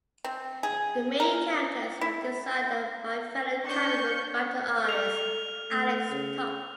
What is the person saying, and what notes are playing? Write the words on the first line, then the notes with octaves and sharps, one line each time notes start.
The main characters were designed by fellow comic book writer-artist Alex Toth.
C4
G#4
A#4
E4
C#4 D4 C#6 G6 C#7
A4 F6 F7
A3
C#3